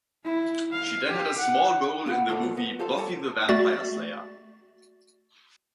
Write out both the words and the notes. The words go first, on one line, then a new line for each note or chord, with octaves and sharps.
She then had a small role in the movie "Buffy the Vampire Slayer".
E4
F5
G4
F#5
B3 F4 F#5 B5
A3 F4 A4 A#4 C5 D5
G#2 F3 F#3 G#3
B3
F4 G4 A4 C5 F5
G3 F4 G4 A4 A#4 C#5
A3 F#4 D5 A6